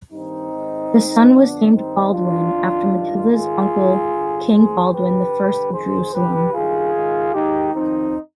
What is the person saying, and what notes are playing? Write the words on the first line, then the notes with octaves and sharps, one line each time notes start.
The son was named Baldwin, after Matilda's uncle, King Baldwin the First of Jerusalem.
G2 D#3 C4 D#4
G#2 D#3
G#2 D#3
F2 D3 B3 D4
G2 D#3 C4 D#4
G2 D#3 D4 F4
F2 D#3
G2 D#3
G#2 D#3 F4 G#4
G#2 D#3
G2 D3
F2 D#3 G#4 C5
F2 D3 G4 B4
G2 D3
F2 D#3 G#4 C5
G2 D3 G4 B4
G2 D#3 F4 G#4
G#2 D#3
G#2 D#3 D#4 G4
F2 D#3 C4 D#4